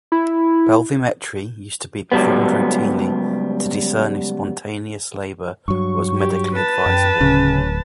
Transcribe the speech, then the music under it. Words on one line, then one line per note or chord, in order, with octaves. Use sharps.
Pelvimetry used to be performed routinely to discern if spontaneous labour was medically advisable.
E4
C#2 F#3 G3 B3
G2 F#3 C#6
G4
B4 A5
F#2 G5
D1 C#3 C#4